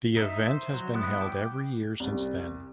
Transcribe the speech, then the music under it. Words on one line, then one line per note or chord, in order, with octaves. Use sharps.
The event has been held every year since then.
D#4 E5
C5
F#3
G3 B3 E4 D#6 F#6
G5 D6
C2